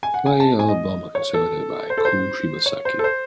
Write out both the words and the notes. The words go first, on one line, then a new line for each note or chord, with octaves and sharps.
Play Alabama Concerto by Kou Shibasaki.
G#5
F#5
G#5
A5
G#5
D#5
C#5
A4
C5
A4
C5
C#5
C5
A4
C5